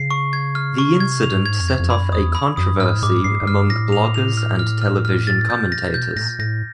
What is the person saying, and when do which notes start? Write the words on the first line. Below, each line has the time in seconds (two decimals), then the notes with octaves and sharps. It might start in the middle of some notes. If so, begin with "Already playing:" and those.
The incident set off a controversy among bloggers and television commentators.
Already playing: C#3 C7
0.11 C#6
0.33 G#6
0.55 F6
0.78 C#6
1.00 C3 G#6
1.23 F7
1.30 G#2
1.46 G#6
1.60 F2
1.69 G#6
1.80 F2
1.90 F#2 B5
2.13 E2 D#6
2.35 B5
2.57 F#2 D#6
2.72 G2
2.80 G#2 F6
2.98 A2
3.03 G#2 D6
3.24 G#2 C7
3.42 G#2
3.47 G2 F6
3.70 A2 A#6
3.92 F7
4.14 F7
4.37 F6
4.59 F6
4.82 F6
5.05 F6
5.27 A6
5.49 A#2 G6
5.72 A#6
5.94 B2 G6
6.05 A#2
6.16 A2 A#6
6.28 A#2
6.39 A2 A#6